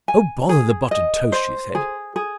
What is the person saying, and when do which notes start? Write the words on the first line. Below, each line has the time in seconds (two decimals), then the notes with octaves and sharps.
"Oh, bother the buttered toast," she said.
0.08 G#5
0.49 G#4
0.91 D#5
1.32 C5
1.75 G#4
2.16 G#4